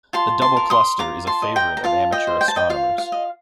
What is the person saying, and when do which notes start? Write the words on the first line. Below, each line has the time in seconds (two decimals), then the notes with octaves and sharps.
The Double Cluster is a favorite of amateur astronomers.
0.13 F4 A5 C6
0.42 A5 C6
0.57 A#4
0.70 C6 D#6
0.99 F4 A#5 D6
1.27 A5 C6
1.42 D#5
1.56 G5 A#5
1.77 A#5
1.84 F4 F5 A5
2.12 D#5 G5
2.27 C5
2.41 G5
2.48 A5
2.56 D#5 G5
2.70 F4 F5
2.98 F5
3.12 D#5